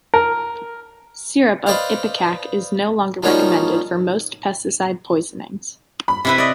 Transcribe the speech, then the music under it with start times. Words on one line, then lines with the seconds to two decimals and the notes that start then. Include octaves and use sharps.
Syrup of ipecac is no longer recommended for most pesticide poisonings.
0.14 A#4
1.66 B4 C5 D5 D#5 F5
3.23 F3 G3 A#3 C#4 D#4 F#4
6.08 B5
6.25 C3 E4 B4
6.38 D5 D#5